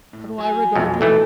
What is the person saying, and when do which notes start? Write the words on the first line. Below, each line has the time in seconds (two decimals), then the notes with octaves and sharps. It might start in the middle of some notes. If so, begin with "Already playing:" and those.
How do I regard you?
0.13 A2
0.38 F#3 G#5
0.75 B1 F2
1.01 B1 E3 A3 A4